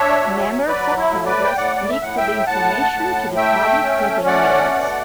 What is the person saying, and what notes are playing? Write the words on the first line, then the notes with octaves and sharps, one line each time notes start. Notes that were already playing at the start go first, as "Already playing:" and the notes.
Members of Congress leaked the information to the public within minutes.
Already playing: D4 C#5 E5
F#3
F#3 B4 D5
E4
A2
B4 D5
G5
A2 D5 F#5
D5
E5
A2 F#5
E5 G5
A2 F#5 A5
A2
A3 E5 G5
C#4
A3 D5 F#5
B2